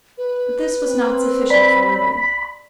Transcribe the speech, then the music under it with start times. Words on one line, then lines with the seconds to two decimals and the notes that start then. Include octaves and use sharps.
But this was not sufficient for Lily.
0.18 B4
0.89 C4
1.50 D5 B5